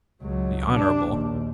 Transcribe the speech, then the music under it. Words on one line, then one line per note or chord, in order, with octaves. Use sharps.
The Hon.
C#2 F#3
C3 D4
A#1 D#2